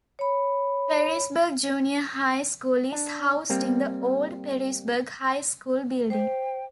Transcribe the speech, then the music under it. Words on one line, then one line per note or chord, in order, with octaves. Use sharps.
Perrysburg Junior High School is housed in the old Perrysburg High School building.
C#5 B5
D4
G3 A#3 C4
C5 G5